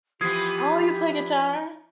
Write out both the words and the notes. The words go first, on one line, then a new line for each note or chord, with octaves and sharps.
Oh, you play guitar?
E3 F3 B3 G4 D#6 G#6 C7